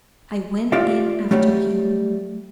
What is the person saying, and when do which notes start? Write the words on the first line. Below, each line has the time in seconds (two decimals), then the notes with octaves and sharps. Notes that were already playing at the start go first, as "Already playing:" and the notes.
"I went in after you."
0.72 F4 G4 D5 E5
1.31 F#3 G3 A3